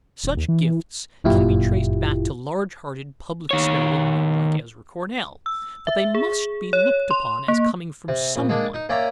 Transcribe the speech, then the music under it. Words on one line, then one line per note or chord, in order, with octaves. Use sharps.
Such gifts can be traced back to large-hearted, public-spirited men like Ezra Cornell, but they must be looked upon as coming from some one.
D#1
D#2
E3
E3
G1 F#2 A#2 E4 F4 G4
D#3 C#5
E6
E5
G#4
C#5
C6
A#3
C3
A#1
G#3 A#3 D4
D#4
A#3 C#4 D5 E5 G5 A#5